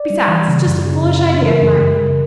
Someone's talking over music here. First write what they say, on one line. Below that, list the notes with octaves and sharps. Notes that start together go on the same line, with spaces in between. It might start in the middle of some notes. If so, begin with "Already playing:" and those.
Besides it's just a foolish idea of mine, maybe.
Already playing: D5
G3
E3
C#3
F#2
C#3
F#2
C#3
E3 A#4
F#2
F#2
C#3